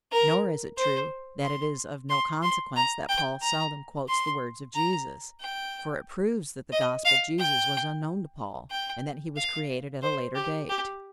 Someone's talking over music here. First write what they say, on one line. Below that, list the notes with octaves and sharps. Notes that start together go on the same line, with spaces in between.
Nor is it true that it is of no consequence that "Paul seldom quotes the words of Jesus." For it proves that the Gospel Jesus was unknown to Paul, and that he was created at a later date.
A#4
C5
C6
C6
C6
A#5
G5
A#5
C6
A#5
G5
D#5
F5
G5
G5
F5
C5
G4
G4